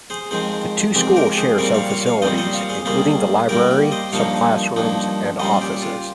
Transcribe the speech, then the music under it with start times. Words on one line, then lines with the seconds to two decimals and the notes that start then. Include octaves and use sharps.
The two schools share some facilities, including the library, some classrooms and offices.
0.10 G#4 C5
0.31 F2 D#3 G#3 C4 G#4 C5
0.94 F2 D#3 G#3 C4 G4
1.16 G4 A#4
1.37 G#4 C5
1.58 A#2 G3 C4 A#4 C#5
1.74 C#5 F5
1.90 C#5 F5
2.06 C#5 F5
2.22 A#2 G3 C4 C5 D#5
2.38 C5 D#5
2.53 C#5 F5
2.69 G#4 C5
2.85 D#3 G3 A#3 G#4 C5
3.49 D#3 G3 A#3 G4 A#4
3.71 G4
3.92 C5 D#5
4.13 G2 F3 A#3 D#4 C#5 F5
4.76 G2 F3 A#3 D#4
5.39 A#2 G3 C#4 C5 D#5
5.62 G4
5.82 F4